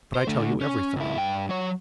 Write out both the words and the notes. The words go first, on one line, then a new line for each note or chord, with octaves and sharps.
"But I tell you everything."
C5
D3 A3
C#4
C#2 E4
G2 G5
F#3 C#5